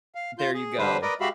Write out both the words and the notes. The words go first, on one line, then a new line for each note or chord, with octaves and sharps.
There you go.
F5
F4 G6
G#4
D3 G3 B4 C5
A#4 B4 D5 D#5
G#3 F#4 G4 E5 F5 B5